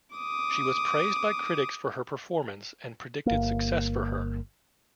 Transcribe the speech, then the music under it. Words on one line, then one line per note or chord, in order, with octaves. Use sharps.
She was praised by critics for her performance and predicted success for her.
D6 D#6
G1 A#3